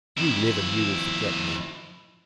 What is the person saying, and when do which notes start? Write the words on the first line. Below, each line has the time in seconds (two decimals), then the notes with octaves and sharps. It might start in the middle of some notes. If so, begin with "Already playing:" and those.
You live and you will forget me.
0.17 F2 E4